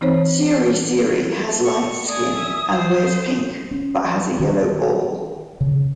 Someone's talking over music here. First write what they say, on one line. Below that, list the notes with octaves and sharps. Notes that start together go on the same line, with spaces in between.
CereCere has light skin and wears pink, but has a yellow ball.
E3 C4 D#4 C5 C#5
C#6
D5 G#5 D#6
E5
F4 C5
C#4
D#3
C#3